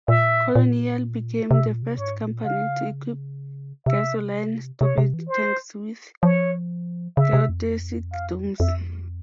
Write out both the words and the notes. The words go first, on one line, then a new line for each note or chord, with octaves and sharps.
Colonial became the first company to equip gasoline storage tanks with geodesic domes.
A#2 E5
A#2
C3 E5
A#2
C3
G#2 C#5
A#2
C#3 F5
C3 E5
C3 C#5
C3
E3
C5
F3 C#5
C#3 E5
C3
F2
F5
F2 E5